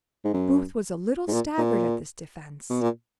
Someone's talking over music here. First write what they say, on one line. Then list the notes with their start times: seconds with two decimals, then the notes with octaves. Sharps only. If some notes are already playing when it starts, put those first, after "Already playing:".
Booth was a little staggered at this defence.
0.25 G#2
0.34 F#2
1.28 G#2
1.33 A#2
1.58 A#2
2.70 B2
2.81 A#2